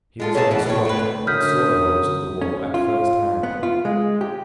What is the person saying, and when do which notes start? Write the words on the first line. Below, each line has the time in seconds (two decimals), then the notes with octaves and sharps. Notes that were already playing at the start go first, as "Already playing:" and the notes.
He was on the spot, and saw the horrors of the war at first-hand.
0.20 G#3 F4 A4
0.34 C#4 G#4 A#4 E5 F#5 A5
0.51 B2 E3
0.66 A2 C#3 F3 C4 G4 C#5
0.85 A3 C4 B4
0.99 D2
1.27 F#2 D3 D#6 F6 G6 B6
2.42 C#4
2.74 F4
3.43 B3
3.63 F4
3.85 G#3
4.21 G4